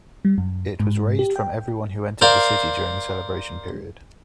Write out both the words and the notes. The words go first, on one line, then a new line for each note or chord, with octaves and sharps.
It was raised from everyone who entered the city during the celebration period.
G3
F#2
G#2
G4
G5
A#4 C5 D5 F5